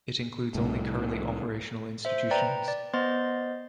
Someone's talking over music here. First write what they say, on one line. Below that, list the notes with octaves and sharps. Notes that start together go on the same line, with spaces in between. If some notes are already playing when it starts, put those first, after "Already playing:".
It includes only currently operational institutions.
C2 A2
C5 E5
B4 D5 G5 A#5
D5
B3 C5 D#5 C6 A6